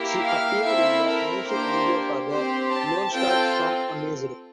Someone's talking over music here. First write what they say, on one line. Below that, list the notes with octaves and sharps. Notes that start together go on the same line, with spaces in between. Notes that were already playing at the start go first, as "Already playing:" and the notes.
She appeared in the music video for the Lonestar song Amazed.
Already playing: A#3 E4 G4
F5
C4 E4 A4 E5
A#4
A#3 D4 G4 C5
C4 G4 C5
A5
C4 F4 A4 G5